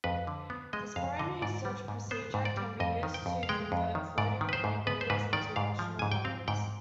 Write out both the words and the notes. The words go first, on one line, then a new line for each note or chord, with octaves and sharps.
This binary search procedure can be used to convert floating-point numbers into rational numbers.
F2 B4
D3
B3
G#3 D#5
F2 F5
D3 D#5
G#2 D5
G3
G#2
B3 C5
G#2
D5
G3
F2 D#5
D#3
G5
F2
F5
G#3 G5
F2
D#3
G#2 D5
D#3
B4
C5
G#2
B3 B4
C5
G#2 B4
D#3 D5
G#2 F5
F3
G#2 G#5
G5
C4 F5
G#2 G5